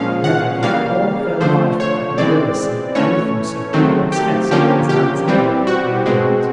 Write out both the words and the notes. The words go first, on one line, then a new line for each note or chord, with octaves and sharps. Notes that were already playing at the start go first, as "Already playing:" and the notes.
Never in all her life had Marilla seen anything so grotesque as Anne's hair at that moment.
Already playing: A#2 F3 G#3 C#4 F5
F#5
C#3 E3 G3 A#3 F5
D3 F3 A3 C5
C#5
E3 G#3 C4 D5
E3 A3 C#4 C#5
D#3 F#3 A3 C4
G4
D3 F3 A#3 C#4 G4
G4
E3 G3 C4
F#4
B2 G#3 C4